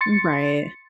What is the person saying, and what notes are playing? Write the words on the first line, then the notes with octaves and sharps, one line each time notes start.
Mm, right.
C6 A6 C#7